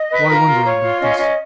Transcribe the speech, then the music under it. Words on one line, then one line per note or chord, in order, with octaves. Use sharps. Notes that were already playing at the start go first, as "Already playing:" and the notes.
Why wonder about this?
Already playing: D#5
B4
F4 A#4 A#5
F4
F4 C#5
F4
C#4 D#5
C#4 D#5